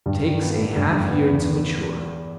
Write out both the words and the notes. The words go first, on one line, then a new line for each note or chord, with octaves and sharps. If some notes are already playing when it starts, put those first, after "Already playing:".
Takes a half year to mature.
G2
D#3
B3
A3
G2
G2
B3
E2